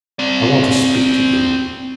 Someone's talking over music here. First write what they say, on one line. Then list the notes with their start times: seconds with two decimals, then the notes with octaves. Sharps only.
I want to speak to you.
0.19 C4 D5